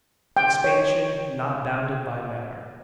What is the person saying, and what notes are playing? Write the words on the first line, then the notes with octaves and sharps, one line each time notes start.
Expansion not bounded by Matter.
G5
C#5